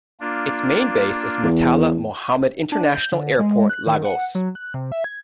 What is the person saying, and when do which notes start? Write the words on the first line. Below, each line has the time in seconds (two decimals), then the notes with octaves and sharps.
Its main base is Murtala Mohammed International Airport, Lagos.
0.20 A#3 D4 F4
1.43 E2
2.72 D4
2.94 G6
3.12 D3
3.39 G#3
3.69 F#6
3.87 D#3
4.05 F#5
4.35 F#3
4.55 F#6
4.74 C3
4.92 E5
5.04 G#6